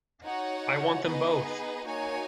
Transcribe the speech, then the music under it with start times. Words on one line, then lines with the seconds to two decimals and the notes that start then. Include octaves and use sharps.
I want them both!
0.24 D#4 F#4 C#5 F#5
1.04 B3 D#4 G#4 B4 D#5
1.85 A#3 D#4 F#4 C#5 G#5